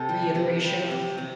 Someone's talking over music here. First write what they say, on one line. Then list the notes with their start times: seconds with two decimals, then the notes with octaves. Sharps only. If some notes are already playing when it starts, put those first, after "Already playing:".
reiteration of
Already playing: C3 A4
0.09 G3
0.36 C3
0.64 G3
0.91 C3
1.18 C3